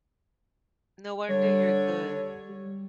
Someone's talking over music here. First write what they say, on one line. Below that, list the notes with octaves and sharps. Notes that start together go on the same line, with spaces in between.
no wonder you're good,
D3 G3 C#5
G3